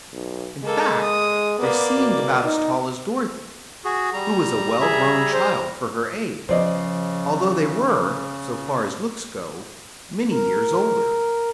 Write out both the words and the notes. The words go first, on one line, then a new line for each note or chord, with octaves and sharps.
In fact, they seemed about as tall as Dorothy, who was a well-grown child for her age, although they were, so far as looks go, many years older.
B1
G#3 A#3 A4
D#6
A#3 B3 D5
B2
D#4
F#4 G#4
G3 A#5
G#4 E5
C5
C#3 F3 C5 D5 D#5
A#4